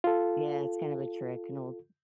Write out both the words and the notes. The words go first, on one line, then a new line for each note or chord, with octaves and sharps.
Yeah, it's kind of a trick, an old
F4 A4